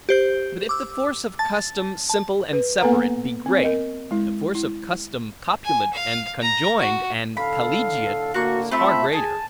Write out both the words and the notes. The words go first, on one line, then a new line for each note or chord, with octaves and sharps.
But if the force of custom simple and separate, be great, the force of custom copulate and conjoined and collegiate, is far greater.
G4 C5 G6
D6 E6
A5 A6
A5
B4
A#3 B3 A4 B4 F#5 A#5
C4
A#4 D#5
G#3 E4
E4
G#5
F5
A#5
F#4
A2 D3 A4 F5 B5
A2 D3 A#3 F#4 C#6
A3 C4 F4 E5 B5
G#4 G#5 A5